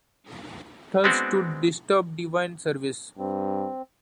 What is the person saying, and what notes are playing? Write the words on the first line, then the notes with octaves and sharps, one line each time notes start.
Thus to disturb divine Service!
G#3 B3 C4 D4 F#4
G2 C4